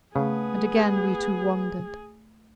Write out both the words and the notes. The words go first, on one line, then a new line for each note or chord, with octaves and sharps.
And again we two wandered.
C#3 A3 B3 G#4